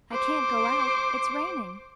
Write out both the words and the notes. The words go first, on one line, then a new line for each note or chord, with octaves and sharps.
I can't go out, it's raining.
C5 D6